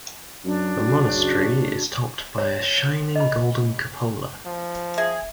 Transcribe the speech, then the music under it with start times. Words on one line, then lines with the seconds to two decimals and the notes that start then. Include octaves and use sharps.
The monastery is topped by a shining golden cupola.
0.45 F#2 F#3 D4
0.87 C#3 F#4
2.38 C#5
3.16 D#5 B5
4.46 F3
4.98 G#4 E5